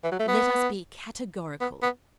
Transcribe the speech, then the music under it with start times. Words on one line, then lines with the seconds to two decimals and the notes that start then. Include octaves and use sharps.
Let us be categorical.
0.04 E3
0.11 F#3
0.19 A3
0.28 B3
1.60 B3
1.82 B3